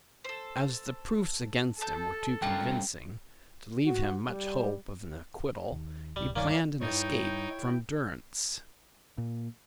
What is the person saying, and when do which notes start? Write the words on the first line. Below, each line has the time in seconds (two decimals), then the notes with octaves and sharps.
As the proofs against him were too convincing to leave him much hope of an acquittal, he planned an escape from durance.
0.24 A4 C5
1.81 A4 A5 G6
2.42 G3 A3 C#4 D4 F4 A#4 G5
3.85 F#4
4.28 G3
5.71 D#2
6.16 D1 C2 G3
6.36 C#2 G2 D#3 A#3 C#4 D4
6.81 G2 G3 D#4 E4 C#5 G5
9.18 A#2